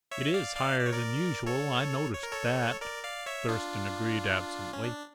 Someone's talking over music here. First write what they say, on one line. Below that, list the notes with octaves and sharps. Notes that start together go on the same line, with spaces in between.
"It is higher than usual; I noticed that," Thurston agreed absently.
C#5 E5
D5 F5
D5 F5
D5
C#5
A#4 D5
A4 C#5
C#5
A#4
A4 C#5
A#4 D5
D5 F5
C#5 E5
D4 F4
C#4
D4